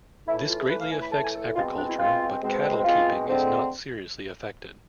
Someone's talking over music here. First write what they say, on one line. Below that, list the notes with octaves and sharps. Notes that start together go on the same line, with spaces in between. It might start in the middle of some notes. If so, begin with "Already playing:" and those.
This greatly affects agriculture, but cattle keeping is not seriously affected.
A2 E3 A3 E4
E4
F4
G#4
A2 E3 A3 B4
F5
G#5
B5
A2 E3 A3 A5
G#5
A4
B2 G#3 C4 F4
D4
E4
B2 G#3 C4 F4
B2 G#3 C4
B2 G#3 C4 F4
D2 D3 G#3 C4